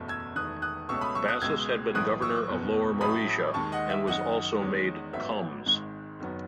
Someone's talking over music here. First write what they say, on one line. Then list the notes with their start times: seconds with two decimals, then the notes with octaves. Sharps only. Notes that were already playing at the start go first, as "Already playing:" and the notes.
Bassus had been Governor of Lower Moesia, and was also made "comes".
Already playing: F#1 E2 B2 A3
0.08 E6 G#6
0.36 E1 E2 D#3 A3 D#6 F#6
0.62 D#6 F#6
0.89 C#2 B2 A3 C#4 C#6 E6
1.01 B5 D#6
1.15 C#6 E6
1.28 D#6 F#6
1.41 C#2 B2 G#3 E6 G#6
1.95 B1 A2 E3 D#6 F#6
2.22 C#6 E6
2.49 F#1 E2 B2
3.01 A1 A2 F#3 A3 C#4 B5 D#6
3.54 D#2 D#3 G#3 A5 C#6
3.72 D#5 F#5
3.90 E5
4.07 F#1 F#2 D#3 D#5 F#5
4.60 E2 D#3 G#3 C#4
5.13 A1 G#2 F#3 B3 E5
5.66 G#1 G#2 D#3 G#3
6.20 F#1 F#2 D#3 F#3 B3